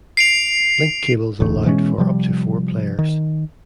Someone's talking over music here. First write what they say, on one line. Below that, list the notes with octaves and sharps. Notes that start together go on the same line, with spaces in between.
Link cables allowed for up to four players.
C7 D7 F7
E1 A1 D2 A3
B2 E3 G#3 C#4
C3 F3 G3
D#3